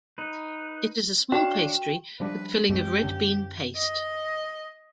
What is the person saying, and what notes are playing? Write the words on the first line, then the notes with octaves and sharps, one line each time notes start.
It is a small pastry with a filling of red bean paste.
D#4 B4
D4 F#4 C#5 F5 G5
F3 G3 D4 B4
F#2 G#3 C4 G4
F#2 D3 C#4
D#5